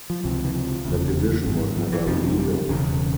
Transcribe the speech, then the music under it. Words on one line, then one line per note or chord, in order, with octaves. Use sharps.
The division was never rebuilt.
F3
C#2 C3 F3
E3
F3
F1 E2 C#3
G#1 G2
F3
E3
G1 F2 C3 F3
F3
G3
E1 E2 C#3 C#4